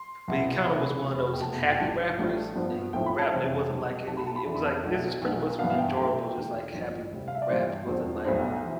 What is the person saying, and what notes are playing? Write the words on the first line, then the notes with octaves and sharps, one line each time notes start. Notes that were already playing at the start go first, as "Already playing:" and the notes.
but he kinda was one of those happy rappers, and he rapped it wasn't, like, any it was, like, it was just pretty much enjoyable, just, like, happy rap, wasn't, like,
Already playing: C6
C2 B2 B3 E4
C2 C3 E3 A3 E4 B5
F1 E2 C3
G5
F1 E2 B2 A3 A5
G5
A1 G2 D3 G3 D4 A5
A1 A2 G3 D4
G2 F3 B3 D4
B1 A2 F3 C4 E4 G5
B5
A5
F2 C3 E3 G3 C4 A5
B1 B2 G3
B1 B2 A3 A5
B5
A5
B5
F2 E3 B3 D4 A5
B5
A5
B1 B2 A3 D4
B1 B2 A3 D4
G2 E3 B3 D4 F5
F5
G5
B1 B2 A3 E4 G5
E2 D3 A3
A1 G2 D3 F3
D2 C3 G3
F5
E5
D5
G2 E3 G3 D4 C5
E1 E2 D3 F3 C4
B1 A2 G3 B3 D4 C5
E3